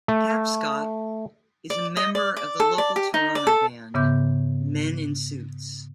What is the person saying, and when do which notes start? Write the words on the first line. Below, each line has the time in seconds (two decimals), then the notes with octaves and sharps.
Tapscott is a member of the local Toronto band, Men in Suits.
0.08 A3
1.70 D5
1.97 D#5
2.15 D5
2.37 D5
2.60 A4
2.78 D5
2.96 G4
3.14 D#4
3.35 D5
3.47 A4
3.94 G#2 C#3 B3 E5 D6 G6